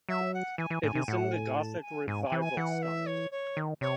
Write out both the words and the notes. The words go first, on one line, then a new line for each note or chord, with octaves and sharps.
It is in the Gothic Revival style.
F#3 E5
F#5
E3 G#5
E3
A2 G#5
C3
A2 F#5
G#5
A5
G#5
G#2 G#5
G#5
E3
G#5
E3 F#5
E5
C#5
C#5
D#3
C3 C#5